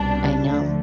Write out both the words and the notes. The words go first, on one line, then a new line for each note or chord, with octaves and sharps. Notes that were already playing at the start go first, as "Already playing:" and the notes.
I know.
Already playing: C2 B2 G3 D4
D2 D3 F3 A3